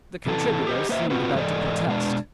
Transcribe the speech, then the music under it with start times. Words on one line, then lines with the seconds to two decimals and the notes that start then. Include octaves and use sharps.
The contributor seemed about to protest.
0.26 C3 E3 A4 A5
0.67 G4 C5 D#5
0.89 A#3 B4 C5 D#5 E5
1.10 C4 F4 F#4 B4
1.35 G#2 E3 A4 D5 D#5 G#5
1.87 B2 G#3 D4